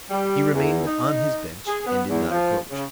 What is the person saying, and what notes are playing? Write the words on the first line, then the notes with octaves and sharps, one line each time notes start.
He remained on his bench and did not approach.
G3
E2
D#4
G#4
B3
E2
F3
C#3